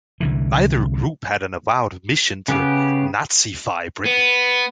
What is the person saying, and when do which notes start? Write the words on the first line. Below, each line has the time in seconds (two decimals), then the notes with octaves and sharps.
Neither group had an avowed mission to Nazify Britain.
0.20 C2 D3 E3
2.48 C#3 B3 G4
4.05 B3